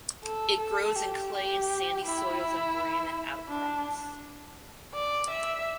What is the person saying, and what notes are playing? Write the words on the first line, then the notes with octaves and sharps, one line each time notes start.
It grows in clay and sandy soils on granite outcrops.
A4
A4
G4
G4
E4
D4
D5
E5